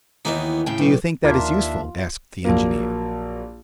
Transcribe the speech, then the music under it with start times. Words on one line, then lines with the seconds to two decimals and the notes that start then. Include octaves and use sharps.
"Do you think that is useful?" asked the engineer.
0.25 D#2 D#3 E3 A#3 B3 D#4
0.66 A2 C#3 G5
0.80 B1
1.24 D#2 A#3 D4 F4 E5
2.45 A#1 F#3 A#3